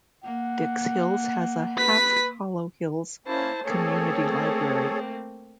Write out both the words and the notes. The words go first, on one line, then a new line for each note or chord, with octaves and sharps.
Dix Hills has a Half Hollow Hills Community Library.
A#3 F#5
B4 B6
A#3 C#4 E4 C5 A5
A3 A#3 C4 G#4 A4 C#5